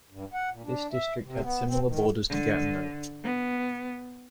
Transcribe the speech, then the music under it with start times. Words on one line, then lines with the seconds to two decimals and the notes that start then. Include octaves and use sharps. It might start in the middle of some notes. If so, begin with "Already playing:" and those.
This district had similar borders to Gatineau.
0.10 G2
0.34 F#5
0.51 A#2
0.64 D4
0.92 E5
1.24 C3
1.42 B3
1.67 C4
1.84 D#3
2.29 D3
3.24 B3